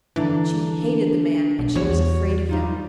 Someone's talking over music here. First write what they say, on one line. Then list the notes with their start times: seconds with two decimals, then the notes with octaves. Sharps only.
She hated the man, and she was afraid of him.
0.16 D3 E3 D4 A#5
1.59 B1
1.75 E2 F#4 C#5
2.49 G3 D#4 F4